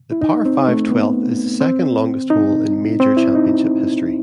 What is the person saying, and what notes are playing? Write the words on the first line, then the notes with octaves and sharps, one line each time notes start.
The par five twelfth is the second longest hole in major championship history.
E4
D#4
C4
A3
B3
C4
D#4
C4
E4
D#4